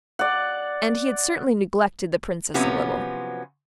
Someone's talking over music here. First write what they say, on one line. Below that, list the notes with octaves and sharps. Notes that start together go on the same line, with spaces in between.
And he had certainly neglected the Princess a little.
D5 F#5
C3 F3 F#3 B3 C#4